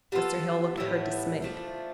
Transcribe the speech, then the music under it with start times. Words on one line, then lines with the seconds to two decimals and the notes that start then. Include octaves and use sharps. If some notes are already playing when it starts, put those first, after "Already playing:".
Mr. Hale looked at her dismayed.
0.12 G3 B3 F4 A4
0.77 A2 G3 B3 E4
1.42 F3 A3 D4